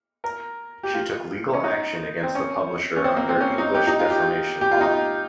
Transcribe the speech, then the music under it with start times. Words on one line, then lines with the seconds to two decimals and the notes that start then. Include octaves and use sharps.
She took legal action against the publisher under English defamation law.
0.24 A#4
0.83 G4
0.94 F4
1.53 C#4
1.64 D#4
2.23 C4
2.35 C#4
2.97 C#4
3.04 C4
3.17 A#3
3.29 C4
3.41 C#4
3.58 D#4
3.75 G4
3.87 D#4
3.99 F4
4.10 G4
4.61 G4
4.71 F4
4.81 D#4